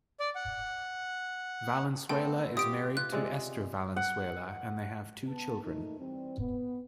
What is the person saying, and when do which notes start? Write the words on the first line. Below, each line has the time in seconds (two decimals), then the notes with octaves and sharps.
Valenzuela is married to Esther Valenzuela and they have two children.
0.20 D5
0.35 F#5
2.09 A3 B3 C4 A4 G5
2.57 F4 G4 D#6 D7
2.97 F4 F#6
3.12 C3 G#3 D5
3.96 F#5
5.28 B3 A5
5.63 A#2 A3 D#4
5.99 E3 G3 C4
6.40 B3